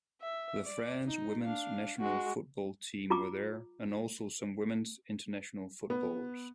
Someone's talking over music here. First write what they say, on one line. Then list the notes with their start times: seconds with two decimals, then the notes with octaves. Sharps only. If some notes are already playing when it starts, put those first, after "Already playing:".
The France women's national football team were there and also some women's international footballers.
0.21 E5
0.64 D5
1.05 D#4
1.43 D4 F5
1.98 G#3 F#4
3.10 F4 A#5 D6
5.90 B3